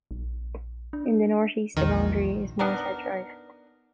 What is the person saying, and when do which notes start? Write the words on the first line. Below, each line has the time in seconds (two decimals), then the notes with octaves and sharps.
In the north east the boundary is Morshead Drive.
0.11 A#1
0.93 D4
1.77 A#1 E2 D#3
2.59 B3 D4 D#4 A#4